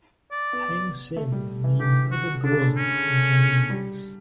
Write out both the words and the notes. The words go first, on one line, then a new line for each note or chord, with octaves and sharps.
Hang Seng means "ever-growing" in Cantonese.
D5
B3
A3
G3
E3
D3 G4
F#4
D3 D4
C#3
D3
C#4
G3